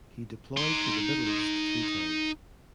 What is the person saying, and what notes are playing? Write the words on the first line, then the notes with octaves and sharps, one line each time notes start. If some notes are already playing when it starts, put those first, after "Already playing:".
He deployed to the Middle East three times.
D#4 C6